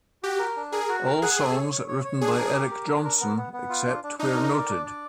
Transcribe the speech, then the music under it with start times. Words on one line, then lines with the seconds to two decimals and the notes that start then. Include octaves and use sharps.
All songs written by Eric Johnson, except where noted.
0.23 F#4 G4
0.39 A#4
0.57 D4
0.72 G#4 A#4
0.89 F#4
1.05 A#4
1.22 G#4 F#5
1.39 A4
1.55 C#5
1.72 C#5
1.88 C#5
2.04 C#5
2.21 D4 G#4
2.38 A#4
2.54 G4
2.71 A#4
2.87 D4
3.04 A#4
3.21 B3
3.36 B3
3.53 B3
3.69 F4
3.87 D4
4.03 D4
4.19 D4 D#4
4.36 A#4
4.53 D5
4.69 D4
4.86 D5